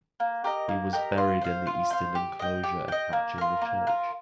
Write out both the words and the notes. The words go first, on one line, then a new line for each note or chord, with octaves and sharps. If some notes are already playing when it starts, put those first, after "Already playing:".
He was buried in the eastern enclosure attaching the church.
A#3
G4 A#4 D#5
A#3
G4 A#4 D#5
F4
C5 F5
F4
C5 F5
G4
D#5 G5
G4
D#5 G5
A#3
F4 A#4
A#3
F4 A#4